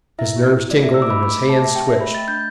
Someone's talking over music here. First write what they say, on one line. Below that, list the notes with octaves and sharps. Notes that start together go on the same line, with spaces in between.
His nerves tingled and his hands twitched.
E4 E5
G4
E4
A3 D5
E5
E4
E6
D6
A3
B5
A3 D6
D6
A3
A5
G4 E5
G4 G5
E5
A3
B5
A3 A6
D4 G6